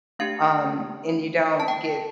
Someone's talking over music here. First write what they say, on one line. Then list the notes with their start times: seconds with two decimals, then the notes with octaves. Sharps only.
um, and you don't get
0.19 A3 D4 G4 F5
1.60 A5
1.68 G5